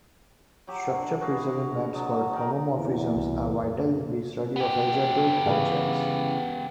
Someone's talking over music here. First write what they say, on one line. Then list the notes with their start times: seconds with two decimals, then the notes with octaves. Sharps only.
Structure preserving maps called "homomorphisms" are vital in the study of algebraic objects.
0.67 F#3 G4
0.90 D3 F#4
1.21 F#4 G#4 F5 B5
1.93 F#3 D#5 A5
2.33 D#3 A#4
2.77 E2
3.14 C2
3.62 F#2
4.56 B3 G4
5.46 C#3 E3